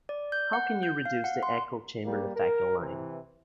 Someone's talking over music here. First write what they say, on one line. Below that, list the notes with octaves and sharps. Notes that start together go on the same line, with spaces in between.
How can you reduce the echo chamber effect online?
D5
G6
F#5
G6
F5
F#5
C6
G3 A#3
A#4
C3 E3